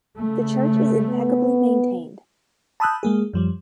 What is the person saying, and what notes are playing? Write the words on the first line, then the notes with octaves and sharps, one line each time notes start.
The church is impeccably maintained.
C#3 A3
B3
A5 B5 D#6 E6 F#6 G6
G#3 A#3 G#4
F#2 F3 G3